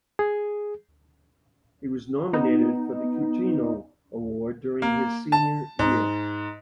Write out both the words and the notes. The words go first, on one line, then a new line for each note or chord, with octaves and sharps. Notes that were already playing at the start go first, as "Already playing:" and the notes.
He was nominated for the Cutino Award during his Senior year.
G#4
B3 D#4
A#3
A5
G#2